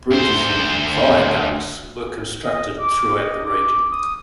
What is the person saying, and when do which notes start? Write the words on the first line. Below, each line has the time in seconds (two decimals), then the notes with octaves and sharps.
Bridges and viaducts were constructed throughout the region.
0.11 D2 C5
2.44 D#5
2.80 D6
3.16 D#5
3.45 D6
3.92 D#6